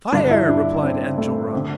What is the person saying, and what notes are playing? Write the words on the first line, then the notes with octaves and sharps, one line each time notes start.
"Fire!" replied Enjolras.
G2 D3 D4
E4
D4
C4
A3
C4
D3